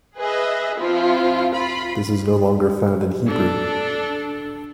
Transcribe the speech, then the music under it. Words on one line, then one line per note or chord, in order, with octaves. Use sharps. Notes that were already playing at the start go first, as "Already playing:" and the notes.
This is no longer found in Hebrew.
G#4 B4 D#5 E5
F3 C4 E4 F4
F4 B5
D4 A4